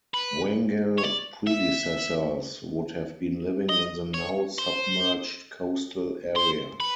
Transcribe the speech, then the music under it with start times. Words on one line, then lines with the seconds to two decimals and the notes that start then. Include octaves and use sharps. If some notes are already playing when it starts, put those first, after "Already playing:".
Wangal predecessors would have been living in the now-submerged coastal area.
0.14 B4
0.98 C#5
1.03 D5
1.47 E5
3.69 D#5
4.14 C#5
4.58 C5
6.36 C5
6.80 B4